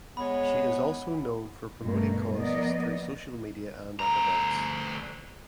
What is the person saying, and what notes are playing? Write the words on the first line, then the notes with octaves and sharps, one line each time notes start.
She is also known for promoting causes through social media and at events.
G#3 B3 C#5 B5
G2 B2 A3 A#3
F3 A#3 B3 D5 D#5
D2 A#5